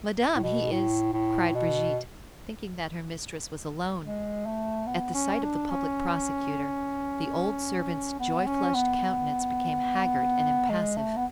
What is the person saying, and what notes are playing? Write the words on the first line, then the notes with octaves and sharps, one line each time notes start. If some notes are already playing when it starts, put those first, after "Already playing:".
"Madame, he is--" cried Brigitte, thinking that her mistress was alone. At the sight of the public prosecutor, the old servant's joy-flushed countenance became haggard and impassive.
A2
B2
A2
A2
B2
G#3
A3
B3
C#4
D4
C#4
B3
C#4
B3
G#3
A3
B3